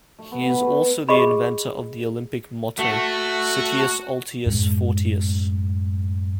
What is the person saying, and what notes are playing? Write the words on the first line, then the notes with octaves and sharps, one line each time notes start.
He is also the inventor of the Olympic motto "Citius altius fortius".
A3
B3
B4
A3
G4 G#4 D#5 B5
A3 F#4
F#2 A2 G#3